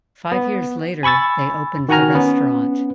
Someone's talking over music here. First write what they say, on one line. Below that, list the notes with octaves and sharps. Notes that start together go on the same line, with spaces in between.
Five years later they opened the restaurant.
B3
G#5 B5 C#6 E6 A6
D#3 F#4 F#5 G#5 A#5 F6
B3 C#4